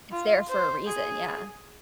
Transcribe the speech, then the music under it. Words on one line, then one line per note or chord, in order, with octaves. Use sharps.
It's there for a reason, yeah.
F4
C5
G#4